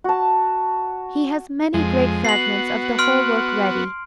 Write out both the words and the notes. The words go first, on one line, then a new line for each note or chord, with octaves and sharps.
He has many great fragments of the whole work ready.
F#4 A5
F2 G#3
B3 F#4 C7 F#7
C6 F6 D7